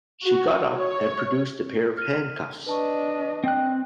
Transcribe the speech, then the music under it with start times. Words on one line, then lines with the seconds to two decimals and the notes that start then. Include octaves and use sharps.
She got up and produced a pair of handcuffs.
0.24 F#4
0.74 C#5
1.97 F6 D#7
2.67 D4 B4 D#5 A5 C#6
3.44 C4 G5 F#6